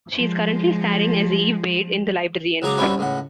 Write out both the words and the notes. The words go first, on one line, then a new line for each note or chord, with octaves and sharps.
She is currently starring as Eve Baird in "The Librarians".
F3 G#3
C#2 F#3 G#4 A#5 D6
G3 C4 C#4 E4 F#4
C#2 A2 F#5